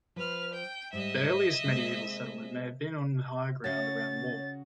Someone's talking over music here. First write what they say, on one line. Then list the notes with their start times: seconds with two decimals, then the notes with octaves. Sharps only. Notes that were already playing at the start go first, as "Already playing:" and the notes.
The earliest medieval settlement may have been on the higher ground around Wall.
0.16 F3 B4 C5 F6
0.53 G5
0.93 G#2 G3 D#5 E5
1.65 C3 G#3 A#3
3.64 C#3 F#4 C#5 A6